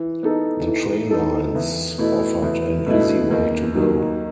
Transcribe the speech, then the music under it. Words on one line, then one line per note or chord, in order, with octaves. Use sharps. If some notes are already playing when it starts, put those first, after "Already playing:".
The train lines offered an easy way to go.
Already playing: E3
B3 D#4 A4
E3
B3 D#4 A4
E2
B2 A3 E4
E2
B2 A3 E4
D#2
D#3 F#3